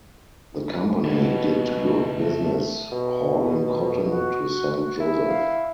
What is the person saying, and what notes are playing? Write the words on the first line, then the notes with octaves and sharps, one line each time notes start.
The company did good business hauling cotton to Saint Joseph.
B2 B3 E4 C#5
C#3 F#4
A3
B2
F#4
E4 G#4
F5